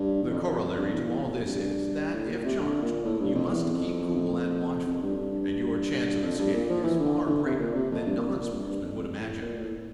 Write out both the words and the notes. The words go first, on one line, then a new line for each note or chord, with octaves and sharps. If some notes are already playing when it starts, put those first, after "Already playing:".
The corollary to all this is, that, if charged, you must keep cool and watchful, and your chance of escape is far greater than non-sportsmen would imagine.
Already playing: G2
E2
F2
G2
E2
E2
F2
G2
A2
A#2
C3
D3
A#2
A2
G2
F2
E2
F2
F2
G2
G2
F2
G2
A#2
F3
E3
D3
E3
D3
C3
A#2
C3
F2
G2
A#2
C3
A#2
G2
G2
F2
F2
A2
A#2
A2